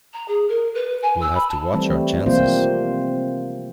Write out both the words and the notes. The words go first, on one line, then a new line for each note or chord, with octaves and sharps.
We'll have to watch our chances.
A#5
G#4
A#4
B4
G#5
E6
B5
A5
E3 G3 A3 C4
C3 F3 A#3 C4 F4 C5